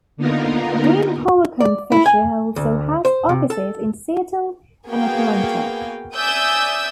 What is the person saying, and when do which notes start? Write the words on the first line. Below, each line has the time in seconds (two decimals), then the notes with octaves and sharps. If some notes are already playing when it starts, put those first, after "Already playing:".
Greene Holcomb Fisher also has offices in Seattle and Atlanta.
0.17 D3 A#3 B3 D#4 F4 A#4
1.60 D5
1.92 E4
2.06 G#5
2.56 D2
3.05 C5
3.29 C3
3.50 A4
4.88 A#3 B3 F#4 G#4 F5 G5
6.15 D5 E5 G#5 D#6 E6 G6